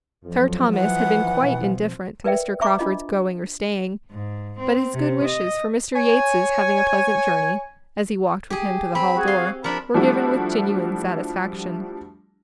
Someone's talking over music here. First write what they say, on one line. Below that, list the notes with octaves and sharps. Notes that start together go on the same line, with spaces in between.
Sir Thomas had been quite indifferent to Mr. Crawford's going or staying: but his good wishes for Mr. Yates's having a pleasant journey, as he walked with him to the hall-door, were given with genuine satisfaction.
F2 F3 F#3
E3 F#5
B2 F3 C4
A#4 B4 D5 E5 G5
C5 E5 A#5 C#6 D6
D4 F4 D#5
G#2
C4
C3
D#5
C#5 G#5
G4 G#4
C4 B5
F#4 G#4
F5 C6
F3 D4 A#4 B5
F3 G3 A3 D4 E4 F#4